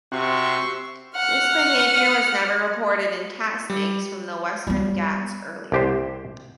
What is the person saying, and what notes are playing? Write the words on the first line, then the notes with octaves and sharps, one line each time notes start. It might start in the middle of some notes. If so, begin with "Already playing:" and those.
This behavior was never reported in cat snakes from the Western Ghats earlier.
C3 C4 F#4 E5 C6 C#6
F#5 F6
G3
G3 B3
C2 G4 C5